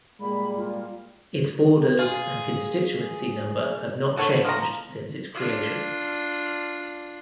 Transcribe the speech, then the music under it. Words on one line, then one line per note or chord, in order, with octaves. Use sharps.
Its borders and constituency number have not changed since its creation.
A#2 G3 G#3 A#3 B5
F4
F4 G#4
A2 D3 A4 C#5
F3 A#4 A#5
D4 F4